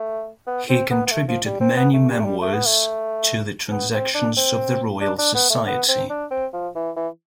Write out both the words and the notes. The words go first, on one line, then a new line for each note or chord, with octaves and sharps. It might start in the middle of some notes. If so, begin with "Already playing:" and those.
He contributed many memoirs to the "Transactions of the Royal Society".
Already playing: A3
B3
C4
B3
B3
A3
F3
G3
C4
B3
A3
G3
A3
G3
A3
B3
A3
B3
C4
D4
C4
D4
D4
B3
A3
B3
C4
D4
C4
F3
E3
E3